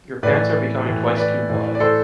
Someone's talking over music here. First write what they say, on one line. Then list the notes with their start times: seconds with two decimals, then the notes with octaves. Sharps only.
Your pants are becoming twice to wide.
0.23 A2 E3 B4 D5
0.86 A2 E3
1.17 B4 D5
1.49 A2 E3
1.75 D5
1.80 A4 C5